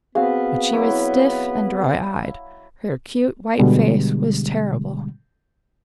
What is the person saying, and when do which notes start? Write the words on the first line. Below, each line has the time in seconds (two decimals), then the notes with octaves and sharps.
But she was stiff and dry-eyed; her acute white face was terrible.
0.15 B3 C4 F#4 G#4 F5
0.72 F#3 E4 D6
3.59 B2 D3 G3 G#3